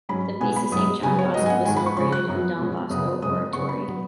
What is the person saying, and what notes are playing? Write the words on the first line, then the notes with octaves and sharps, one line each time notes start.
The feast of Saint John Bosco is celebrated in the Don Bosco Oratory.
G#2 F#3 C#4 B5
B2 G#3 B3 G#5
B5
F#2 F#3 B3 D#6
C#3 F#3 B3 G#5
C#5
G#2 F#3 B3 D#5
G#5
F#5
G#2 D#3 G#3 G#5
B5
C#6
C#3 G#3 C#4 C#6
F#6
F#2 F#3 B3
B2 G#3 C#4
F#2 C#3 B3 D#6
F#2 C#3 G#3 D#6
C#3 B3 C#6
B5
F#3 B3